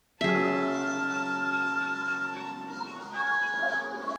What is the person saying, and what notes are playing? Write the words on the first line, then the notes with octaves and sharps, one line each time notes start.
Both Ethiopia and Dawit suffered heavily from these assaults.
C#3 F#3 G#4 E5 A5
G#5